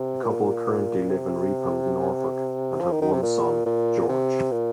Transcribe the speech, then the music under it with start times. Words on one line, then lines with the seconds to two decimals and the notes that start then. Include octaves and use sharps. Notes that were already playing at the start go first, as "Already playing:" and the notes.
The couple currently live in Reepham, Norfolk, and have one son, George.
Already playing: C3
0.23 A#2
1.09 C3
2.81 F3
2.91 D#3
3.02 D#3
3.13 C3
3.23 A#2
3.66 A#2
4.09 C3
4.52 A#2